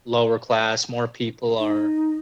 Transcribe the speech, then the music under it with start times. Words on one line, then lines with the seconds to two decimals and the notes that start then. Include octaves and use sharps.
lower class, more people are
1.60 D#4